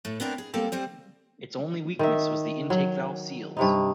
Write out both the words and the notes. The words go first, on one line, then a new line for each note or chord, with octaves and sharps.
Its only weakness was the intake valve seals.
A2 A3
B3 C4 D4 A#4
G#4
G3 A#3 C4 G4 A4
G3 C4 C5
D#3 E5
F#3
G2 C3 D#4